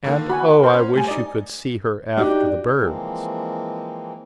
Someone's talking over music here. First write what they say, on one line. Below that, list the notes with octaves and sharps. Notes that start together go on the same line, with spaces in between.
And oh, I wish you could see her after the birds!
D3 D#3 A#3
F#4 F#5 G#5 B5
A#4 C5
C#4
A2 G3 G#5
D#4 D5 D#5
D4 D#4 F#4 G4
E3 F3 G#3 A#3 C4